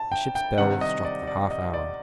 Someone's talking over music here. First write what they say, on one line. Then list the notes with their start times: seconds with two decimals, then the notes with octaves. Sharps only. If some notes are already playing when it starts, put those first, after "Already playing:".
The ship's bell struck the half-hour.
Already playing: A5
0.12 G5
0.35 G5
0.58 C3 D#3 G3 F#5
0.81 D#5
1.05 D5
1.27 D5
1.51 D#5
1.74 D5